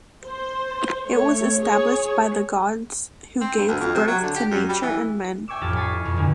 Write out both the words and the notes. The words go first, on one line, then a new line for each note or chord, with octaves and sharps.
It was established by the gods who gave birth to nature and men.
C5
A3 C#5
G#4 C#5
C4
G2
D2
F2
C3
F#3
D3
G4
F#2
G3
E3
E5 G5 G#5 C#6 D6 E6
A1 F2 G4 A5 F6 A6
G#5 B5 C#6 D#6 A6 C7
E4
F2 B2
E2 G2 B2 D3 E3